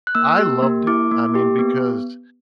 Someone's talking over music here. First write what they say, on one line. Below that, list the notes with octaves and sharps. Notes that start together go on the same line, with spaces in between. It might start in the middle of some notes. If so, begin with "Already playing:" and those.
I loved it, I mean, because
F#6
A#3 E6
G4
A#3
E4 D6
A#3
G4
B3